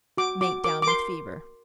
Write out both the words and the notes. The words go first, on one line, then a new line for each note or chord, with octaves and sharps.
Mate down with fever.
F#4 D6
F#4 D6
A#4 D6
D6
A#4 C6